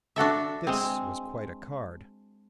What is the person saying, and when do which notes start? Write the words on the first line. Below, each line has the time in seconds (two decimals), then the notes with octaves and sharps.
This was quite a card.
0.16 D4 F#4 A4 E5
0.67 G#3 C4